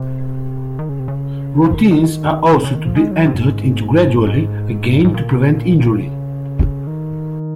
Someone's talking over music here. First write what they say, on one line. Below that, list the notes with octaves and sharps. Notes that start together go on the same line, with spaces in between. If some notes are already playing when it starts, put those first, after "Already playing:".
Routines are also to be entered into gradually, again to prevent injury.
Already playing: C3
D#3
C#3
C3
C#3
F3
D#3
C#3
D#3
C3
C#3
D#3
F3
G#3
F#3
C3
F#2
G#2
G#2
G#2
A#2
C#3
D#3